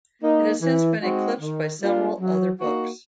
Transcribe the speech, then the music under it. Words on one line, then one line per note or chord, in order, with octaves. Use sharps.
It has since been eclipsed by several other books.
A#3 D#4
E3
G#3 C4 D#4 F#4
D#3
G3 A#3 D4 F4
F#3
A#3 D#4 F#4